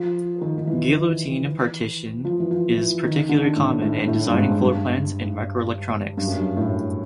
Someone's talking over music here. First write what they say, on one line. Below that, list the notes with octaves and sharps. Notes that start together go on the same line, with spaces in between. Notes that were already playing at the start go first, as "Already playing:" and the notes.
Guillotine partition is particularly common in designing floorplans in microelectronics.
Already playing: F3
D#3
D#3
E3
F3
E3
F3
E3
D#3
D3
A2
A2
A2
G2
G#2
G2
G2
F#2
G2
A2